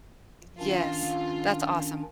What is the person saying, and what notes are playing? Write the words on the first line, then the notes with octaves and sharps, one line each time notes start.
Yes, that's awesome.
D#3 C#4 D4 F4